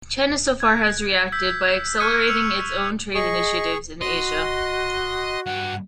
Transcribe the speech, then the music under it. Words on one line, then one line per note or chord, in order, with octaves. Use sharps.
China so far has reacted by accelerating its own trade initiatives in Asia.
F#6 G#6
E6 G6 B6
C#6 F6 F#6 G#6 C#7 D#7
E6 C#7 F7
G#4 D#5 C#6
F#4 D#5 C6
G2 F#5 G5